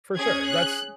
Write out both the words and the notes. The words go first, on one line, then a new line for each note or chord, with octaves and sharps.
For sure, that's
C#4 G#4 G#6
F#6